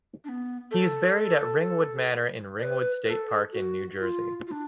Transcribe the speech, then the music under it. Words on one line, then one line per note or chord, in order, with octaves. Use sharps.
He is buried at Ringwood Manor in Ringwood State Park in New Jersey.
D4
B3
A4
D5
B4
B4
A4
F#4
F4
F4
D4